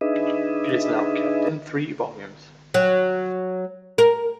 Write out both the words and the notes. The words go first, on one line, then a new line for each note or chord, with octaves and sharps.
It is now kept in three volumes.
D4 D#4 G#4 B4 D#5 E5
F#3
A#4